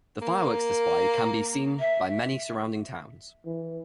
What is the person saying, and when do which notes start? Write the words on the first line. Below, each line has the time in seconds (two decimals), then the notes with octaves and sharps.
The fireworks display can be seen by many surrounding towns.
0.22 A#3
1.80 E5
3.45 E3